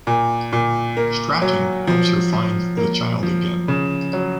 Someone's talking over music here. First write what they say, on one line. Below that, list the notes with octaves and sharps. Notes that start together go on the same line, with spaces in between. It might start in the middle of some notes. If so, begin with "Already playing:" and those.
Stratton helps her find the child again.
A#2
A#2
A#3
F#3
F3
F3
A#3
F3
C#3
F#3